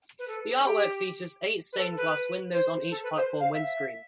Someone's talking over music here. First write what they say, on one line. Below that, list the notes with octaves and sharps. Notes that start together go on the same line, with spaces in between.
The artwork features eight stained glass windows on each platform windscreen.
B4
A4
G4
B4
A4
B4
C5
A4
B4
C5
F5
E5